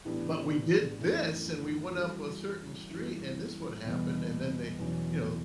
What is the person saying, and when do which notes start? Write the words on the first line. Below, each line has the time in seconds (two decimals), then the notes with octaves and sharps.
"But we did this, and we went up a certain street, and this would happen," and then they, you know
0.05 A2 E3 B3 D4 G4
0.99 F#2 E3 A3
1.95 E3 G3 C#4 F#4 A4
2.89 F#2 E3 G3
3.84 E2 B2 G3 B3
4.79 E2 B2 F#3 C#4